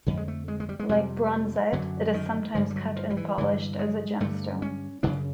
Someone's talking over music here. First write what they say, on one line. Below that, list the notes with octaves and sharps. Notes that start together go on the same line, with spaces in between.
Like bronzite, it is sometimes cut and polished as a gemstone.
F2 D3
G#3
A3
G#3
G#3
G3
G#3
F2 C3 G3
F#2 D3 F#3
D#3
G2 D3 F3
G3
F#3
F3
F3
E3
G2 D3 E3
G#3
G2 D3 A3
C#4
F#2 C#3 D4